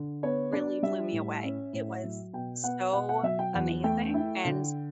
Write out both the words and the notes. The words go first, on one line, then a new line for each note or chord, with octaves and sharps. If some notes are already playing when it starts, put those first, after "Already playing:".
really blew me away. It was so amazing, and
Already playing: D3
B3 C#5
D4 D5
G3 E5
A2
C#4
A2
F#3
B2 G5
B3 F#5
B2 F#5
F#5
F#3 E5
G5
E2 F#5
A3 G5
E4
D3